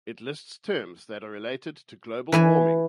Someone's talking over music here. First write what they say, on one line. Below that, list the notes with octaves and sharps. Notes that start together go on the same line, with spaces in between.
It lists terms that are related to global warming.
E3 B4 G#5